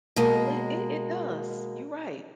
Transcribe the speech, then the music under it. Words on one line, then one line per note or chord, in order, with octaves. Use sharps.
Well, it it does, you're right.
B2 G#3 A#3